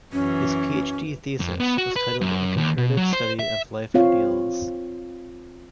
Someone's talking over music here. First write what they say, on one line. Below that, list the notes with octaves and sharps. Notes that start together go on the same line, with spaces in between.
His PhD thesis was titled "A Comparative Study of Life Ideals".
F#2 E3 C#4
F2
B3
F#4
B4
F#2
D#2
B2
F#3
C5
E5
C4 F4 C#5 F5